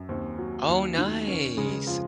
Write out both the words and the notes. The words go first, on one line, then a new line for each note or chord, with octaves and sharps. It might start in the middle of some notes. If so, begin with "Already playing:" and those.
Oh, nice.
Already playing: F#2
D#2 C4
F#3
D#2
D#3
F1 C#4
C#3 G#3 G#4
F3 F4